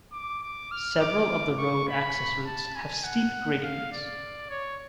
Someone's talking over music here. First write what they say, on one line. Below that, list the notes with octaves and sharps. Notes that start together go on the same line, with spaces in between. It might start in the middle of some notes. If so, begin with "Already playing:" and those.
Several of the road access routes have steep gradients.
D6
D6
F6
D6
C#6
B5
A5
G#5
F#5
F5
D5
C#5